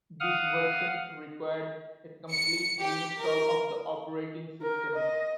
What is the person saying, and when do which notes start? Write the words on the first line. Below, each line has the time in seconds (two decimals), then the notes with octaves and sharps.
This version required a complete reinstall of the operating system.
0.20 F5 F#5 D#6 F6
2.31 C#7
2.81 G4
3.19 A#4
4.62 A#4
4.96 D#5